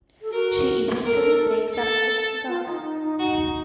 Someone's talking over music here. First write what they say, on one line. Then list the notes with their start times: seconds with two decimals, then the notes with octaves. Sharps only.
She eventually breaks up with Gautham.
0.21 A4
0.32 F#4 A#4
1.04 A4 A#4
1.76 A4
2.47 F4
2.65 D#4
2.83 D#4
3.02 D#4
3.19 D#4 F#4